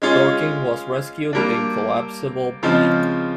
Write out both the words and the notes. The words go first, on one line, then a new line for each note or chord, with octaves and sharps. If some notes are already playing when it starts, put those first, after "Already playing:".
Dorking was rescued in Collapsible B.
G#3 C#4 F4 G#4
G3 A#3 D4
C#3 F3 G#3 C4 F4